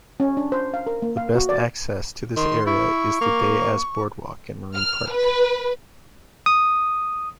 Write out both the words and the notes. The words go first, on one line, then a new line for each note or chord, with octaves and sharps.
The best access to this area is the Day-as Boardwalk and Marine Park.
C#4
D4
C5
F5
A#4
A#3
F5
F#4
D5
D#3 C6
E4 C#6
A#3
F6
B4
D#6